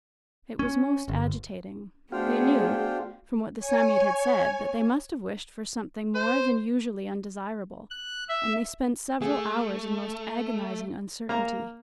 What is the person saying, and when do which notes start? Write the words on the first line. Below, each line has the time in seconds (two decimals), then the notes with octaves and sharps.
It was most agitating; they knew, from what the Psammead had said, that they must have wished for something more than usually undesirable, and they spent several hours in most agonizing uncertainty.
0.59 C#4
1.08 G1
2.12 A3 B3 D4 F#4 G#4 C5 F5 G5
3.59 C#5 G#5
6.15 C5
7.91 F#6
8.29 E5
9.22 A3 G#4
11.29 A#3 A#5